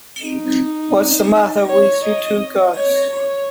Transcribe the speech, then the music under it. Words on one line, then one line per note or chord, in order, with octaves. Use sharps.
What's the matter with you two guys?
D#4
C#5
D#5
C#5
C#5